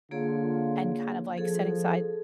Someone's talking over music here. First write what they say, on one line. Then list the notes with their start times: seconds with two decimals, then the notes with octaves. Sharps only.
and kind of like setting aside
0.11 D3 A#3 F4 G#4 C#5
1.38 F3 G#4 A4